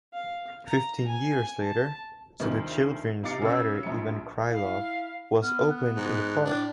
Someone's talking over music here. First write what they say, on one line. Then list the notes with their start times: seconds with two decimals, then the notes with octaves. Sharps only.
Fifteen years later, to the children's writer Ivan Krylov was opened in the park.
0.13 F5
0.68 A#5
1.07 G#5
1.61 A5
2.40 D2 D#3 F3 C4
3.23 C3 D#4 F5 D6 A6 C#7
3.42 C#3 E6
3.83 A#1 F3 E5 C#7
4.50 E4 F5
5.42 B3 F6
5.70 F#6
5.96 G#2
6.45 A2 D4